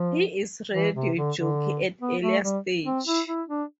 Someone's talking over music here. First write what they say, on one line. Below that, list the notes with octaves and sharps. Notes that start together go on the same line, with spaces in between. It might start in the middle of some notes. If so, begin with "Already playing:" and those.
He is Radio Jockey at Earlier Stage.
Already playing: F3
E3
C3
D3
D3
B3
A3
G3
C4
E4
E4
D4